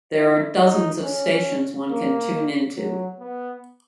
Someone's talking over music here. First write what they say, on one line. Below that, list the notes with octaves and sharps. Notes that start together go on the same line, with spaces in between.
There are dozens of stations one can tune into.
E4
D#4
C#4
A#3
F#3
B3